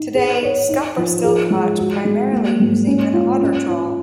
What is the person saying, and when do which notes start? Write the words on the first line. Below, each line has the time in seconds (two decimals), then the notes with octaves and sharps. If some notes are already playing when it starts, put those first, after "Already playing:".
Today, scup are still caught primarily using an otter trawl.
Already playing: D#4
0.15 G#4
0.43 C#5
0.69 D#4
0.97 F3
1.24 G#4
1.50 G#3
1.79 F#4
2.05 G#3
2.32 A#3
2.60 G#2
2.87 C#4
3.13 F4
3.41 C#4
3.68 F4